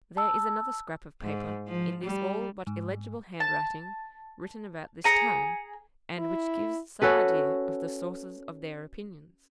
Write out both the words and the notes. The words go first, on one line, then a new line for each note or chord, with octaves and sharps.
There is another scrap of paper, in this all but illegible handwriting, written about this time, and which gives some idea of the sources of their opinions.
A5 E6
G#2
F3
G3
G#2
A5
G#4 A#5 C#7 D#7
E4
C#4 F#4 A4 B4